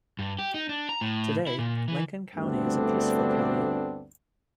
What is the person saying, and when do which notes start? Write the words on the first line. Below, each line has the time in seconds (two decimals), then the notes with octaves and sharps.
Today, Lincoln County is a peaceful county.
0.19 G2
0.39 G4
0.54 D#4
0.69 D4
0.89 A#5
1.01 A2
1.47 E4
1.59 A#2
1.88 E3
2.35 D2 G2 A3 B3 C4 D4